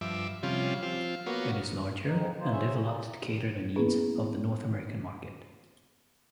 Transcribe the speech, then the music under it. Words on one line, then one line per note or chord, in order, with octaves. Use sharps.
It is larger and developed to cater the needs of the North American market.
G2 F3 E5 D6
C3 F3 G3 C#4 F4
F3 C4 F4
A#3 B3 F4 F#4 C#5
F2 G#2 D#4
F#3 B3 F4 C5
G#4 C5 C#5 E5
G3 A#4
A#3 B3 C#4 E4 G#4 B4